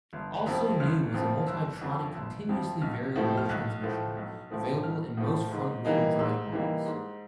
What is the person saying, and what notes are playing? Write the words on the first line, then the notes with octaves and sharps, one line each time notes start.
Also new was the multitronic continuously variable transmission, available in most front-wheel drive models.
G1
F2 C3 F3
G1 F6
F2 C3 F3
G1 E6
F2 C3 F3
G1 E6
F2 C3 F3
B1 F6
A2 F3 A3
F6
B1 F#6
A2 F3 A3
B1
A2 F3 A3
B1 F6
A2 F3 A3
G#2
E3 G3 A#3 D#4
G#2 E6
E3 G3 A#3 D#4
G#2